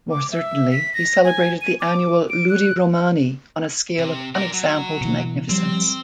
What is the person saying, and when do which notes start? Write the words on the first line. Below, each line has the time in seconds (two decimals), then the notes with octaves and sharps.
More certainly, he celebrated the annual "ludi Romani" on a scale of unexampled magnificence.
0.11 D6
0.32 E5
0.71 B6
0.94 A#6
1.24 G#5
1.61 D#7
1.80 D6
2.29 D7
2.49 F#6
3.99 C3
4.35 A#4 D5
4.53 F#3
5.01 B2 E3
5.49 F3 G3 C4